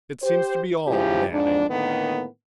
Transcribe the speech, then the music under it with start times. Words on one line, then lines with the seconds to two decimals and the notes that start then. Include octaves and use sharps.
"It seems to be all Manning!"
0.22 G4 C5
0.86 G#2 C#3 F3 E4 G4
1.32 F2 G#2 D4
1.69 A2 D3 D#3 A#3 B3